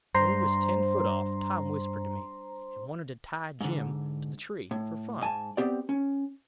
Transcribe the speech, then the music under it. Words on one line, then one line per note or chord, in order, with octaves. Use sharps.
When we was ten foot off Tom whispered to me, and wanted to tie Jim to the tree for fun.
G2 C5 A#5 C6
G#2 D3
A2
G#2 G#5 A5
B3 C4 G4 D5
C#4